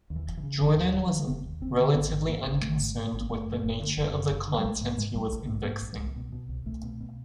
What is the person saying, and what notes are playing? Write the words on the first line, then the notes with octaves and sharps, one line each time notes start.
Jordan was relatively unconcerned with the nature of the content he was indexing.
D#2
E3
F1
E3
C#3
F1 D#3
E3
D#2 D#3
F1 E3
D3 F3
F1 B3
D#2
F1 C4
D3
G#1 B3
G#2
G#2 A#3
G#1
G#1 A3
G#2
G#2
G#1
A#3
F#1 A3
F#2
F#1
D3
F#1
F#2
F#1
D3
G3
A#1 G#3
G#2 A3
G#2 G#3
A#1 G3
A#1
G#2
G#2 A#3
A#1
C2
B2
B2
C2
C2 A3
B2
B2